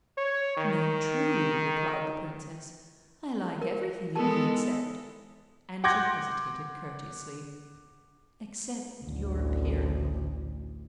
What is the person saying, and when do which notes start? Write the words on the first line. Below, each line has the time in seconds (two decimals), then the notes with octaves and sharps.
"No, truly," replied the princess; "I like everything in you, except"--and she hesitated courteously--"except your appearance."
0.18 C#5
0.57 D#3
3.62 A#4
4.15 G#3 B3 G4 A4 A#4 A5
5.84 F#5 C6 D6 G6 G#6 A#6
9.04 A1 D2